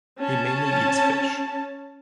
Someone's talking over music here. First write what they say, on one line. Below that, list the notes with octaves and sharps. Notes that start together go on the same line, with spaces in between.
He mainly eats fish.
C#4 A5